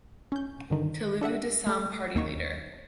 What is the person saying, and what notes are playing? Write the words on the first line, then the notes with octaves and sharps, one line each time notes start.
Telugu Desam Party leader.
C#4 G6
G2 D3 D#3
D4 A4 E5 F#5
A3 G4 A4
D#2 A#3 D#4 C#6